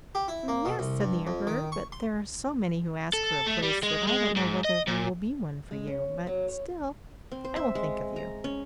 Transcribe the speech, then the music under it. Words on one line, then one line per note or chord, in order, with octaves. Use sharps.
'Yes,' said the Emperor, 'but there are so many who ask for a place that I don't know whether there will be one for you; but, still, I will think of you.
G4
E4
A#3
B2
C2
G2
F2
D#3
C#6
C6
A4
A3
G3
G#3
G#3
G#2
D#5
A#2
G#3
C#4
F#3
C#5
C4
C5
E5
G#3
A#5
C#4